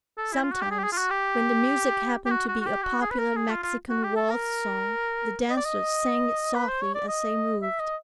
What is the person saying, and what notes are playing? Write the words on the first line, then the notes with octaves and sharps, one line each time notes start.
Sometimes, when the music happened to be a popular Mexican waltz song, the dancers sang it softly as they moved.
A4
E4
F4
F#4
G4
G#4
G4
G#4
F4
F#4
G4
G4
F#4
F#4
F#4
G4
F#4
G#4
B4
A#4
G#4
F4
F4
F#4
G4
A4
A#4
D#5
D5
D#5
B4
C5
C#5
D5
D#5
E5
D#5